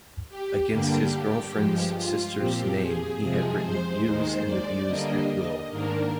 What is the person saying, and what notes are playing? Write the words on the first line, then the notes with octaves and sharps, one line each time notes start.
Against his girlfriend's sister's name he had written use and abuse at will.
G4
G2 D3 G3 A#3 D4 G4
G2 F3 G#3
F4
A#2 F3 C4 G4
G#4
C3 F3 G#3 G#4
C5
D#2 D#3 G#3 C5
D5
D3 G3 A#3 D4 D#5
D#5
G#2 D#3 A#3 D4 A#4